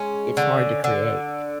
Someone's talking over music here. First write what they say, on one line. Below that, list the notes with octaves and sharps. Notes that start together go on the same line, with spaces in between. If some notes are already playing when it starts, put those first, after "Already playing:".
it's hard to create,
Already playing: G#3 C#4
D3
D3